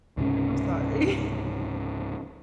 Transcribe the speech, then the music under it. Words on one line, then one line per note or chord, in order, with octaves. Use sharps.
I'm sorry.
C#2 G#2 C3 C#4